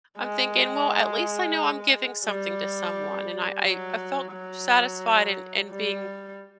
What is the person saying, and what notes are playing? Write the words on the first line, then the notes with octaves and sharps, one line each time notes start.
I'm thinking, "Well, at least I know I'm giving something to someone," and I I I felt satisfied in in being
G#3
G3
F#3
F#3
G3